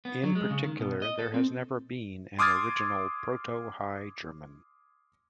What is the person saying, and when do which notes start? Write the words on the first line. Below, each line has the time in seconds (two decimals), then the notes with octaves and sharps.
In particular, there has never been an original "Proto-High German".
0.05 B3
0.23 F#3
0.35 G#3
0.50 C#3
0.64 D#3
0.80 B2
1.02 D#5
1.19 A4
1.34 C4
2.39 C6 D6 D#6 F6 G#6 A6